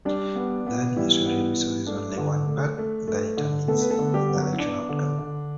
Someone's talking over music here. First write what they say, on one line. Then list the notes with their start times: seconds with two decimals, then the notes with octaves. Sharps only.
The administrative resource is only one part that determines the election outcome.
0.05 G3 D4
0.36 B3
0.67 B3
0.96 E3 G3 E4
1.26 B3
1.57 G3
1.87 A3 D4
2.18 D3
2.47 A3
2.78 A3
3.08 A3
3.37 D3
3.68 A3 B3 A4
3.81 B4
3.91 A3 A4
3.99 D3
4.14 G3 G4
4.28 B3
4.36 F#3 F#4
4.53 E4
4.59 B3 D4
4.89 D3
5.19 D3